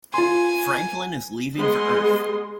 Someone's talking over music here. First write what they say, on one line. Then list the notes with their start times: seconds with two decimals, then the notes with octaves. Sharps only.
Franklin is leaving for Earth.
0.14 F4 G#5 C6
1.57 G#3 B3 D#5 C6